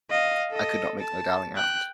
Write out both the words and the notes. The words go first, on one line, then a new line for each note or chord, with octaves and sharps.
I could not make my darling out.
D#5 F5
A4 D#5
A5
G5 F#6